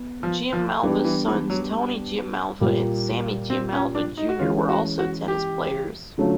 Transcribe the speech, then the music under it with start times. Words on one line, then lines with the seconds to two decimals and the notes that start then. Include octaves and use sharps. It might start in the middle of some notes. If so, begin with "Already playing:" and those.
Giammalva's sons, Tony Giammalva and Sammy Giammalva, Junior were also tennis players.
Already playing: B3
0.23 F3
0.53 F3
0.83 E3 G3 B3 D4 G4
1.04 E3
1.28 E3
1.50 F#3
2.61 A#2 G3 A#3
3.50 C4
3.72 C#4
3.95 D4
4.17 D#4
4.29 F#4
4.39 E3 G#3 C#4 F4
4.69 F#4
4.99 F#4
5.28 G4
6.18 D3 F#3 A3 C#4 F4